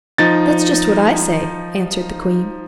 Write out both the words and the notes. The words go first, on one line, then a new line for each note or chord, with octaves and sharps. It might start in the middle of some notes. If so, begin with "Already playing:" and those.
"That's just what I say," answered the queen.
F3 D#4 A6